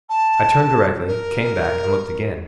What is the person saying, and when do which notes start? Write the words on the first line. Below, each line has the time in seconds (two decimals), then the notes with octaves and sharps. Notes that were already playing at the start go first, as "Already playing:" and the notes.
I turned directly, came back, and looked again.
0.09 A5
1.07 A#4